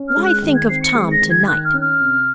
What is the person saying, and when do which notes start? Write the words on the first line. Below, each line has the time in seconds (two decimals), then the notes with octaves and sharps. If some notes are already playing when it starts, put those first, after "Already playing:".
Why think of Tom to-night?
Already playing: C#4
0.09 F6
0.17 G#3
0.25 F#6
0.42 D#3
0.56 G#6
0.69 C4 C7
0.83 C#7
0.95 G#3
1.12 A#6
1.21 D#3
1.31 G#6
1.47 D#3 F#6
1.65 F6
1.74 C#4
1.82 F6
2.00 C3